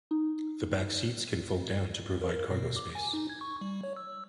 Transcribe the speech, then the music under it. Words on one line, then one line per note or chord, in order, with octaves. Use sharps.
The back seats can fold down to provide cargo space.
D#4
A#4
A#4
B2
D6
G#5
D#4
G#6
C#6
G3
C#5
E6